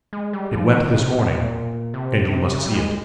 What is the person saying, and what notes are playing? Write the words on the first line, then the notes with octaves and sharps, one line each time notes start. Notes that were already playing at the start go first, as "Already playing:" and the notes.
It went this morning, and you must see it.'
G#3
G3
F3
D#3
C#3
C3
C3
A#2
C3
C3
C#3
G3
G#3